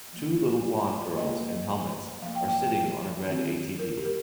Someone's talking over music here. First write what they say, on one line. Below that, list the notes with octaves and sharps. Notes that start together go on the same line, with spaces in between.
Two little blond girls in helmets are sitting on a red ATV.
F3 A#3
F3 A#3 D#5
F3 A#3 F5
G5
G5
G5
G5
D#3 C4
A#4
G4
A#4